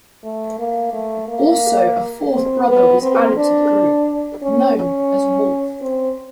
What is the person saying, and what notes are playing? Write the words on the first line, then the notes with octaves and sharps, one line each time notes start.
Also a fourth brother was added to the group known as Wolf.
A3
A#3
A3
A#3
C4
B3
C4
D4
C#4
C#4
C4